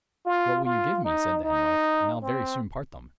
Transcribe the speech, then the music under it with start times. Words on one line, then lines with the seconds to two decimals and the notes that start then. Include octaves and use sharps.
"What will you give me," said the Hen-Wife, "and I'll very soon part them?"
0.26 F4
0.65 F4
1.05 D#4
1.44 D#4
2.23 C4